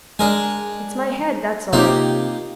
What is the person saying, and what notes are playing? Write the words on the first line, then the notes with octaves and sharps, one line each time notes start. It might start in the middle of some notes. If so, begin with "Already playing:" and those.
It's my head, that's all.
G#3 D4 A#4 G#5
C3 A#3 D#4 F4 G4